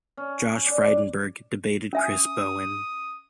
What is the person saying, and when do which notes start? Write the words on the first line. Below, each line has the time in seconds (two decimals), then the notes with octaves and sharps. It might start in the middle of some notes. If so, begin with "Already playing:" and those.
Josh Frydenberg debated Chris Bowen.
0.17 C#4
0.66 D4
1.93 C#4 E5 G#5 D#6